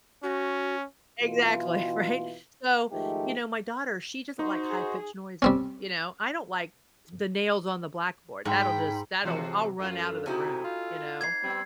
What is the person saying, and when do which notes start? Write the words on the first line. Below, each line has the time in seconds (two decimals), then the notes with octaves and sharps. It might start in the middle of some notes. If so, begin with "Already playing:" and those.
Exactly, right? So, you know, my daughter, she just don't like high pitched noises, you know? I don't like the nails on the blackboard, that'll just that'll I'll run out of the room, you know?
0.23 C#4 F#4
1.21 B2 E3 F4
2.92 G#2 D#3 F3 A3 D#4 G4
4.39 D#4 F#4 C5
4.69 G#4
5.42 G3 C4 C#4
8.45 G#2 G5 B5
9.25 C3 E3 G#3 F#4
9.79 F#2 A3 F4
10.26 C3 D#4 E4 F#4 A4 G#5
10.64 F4
11.21 F2 G#2 G#6 C7
11.43 G3 B3 C4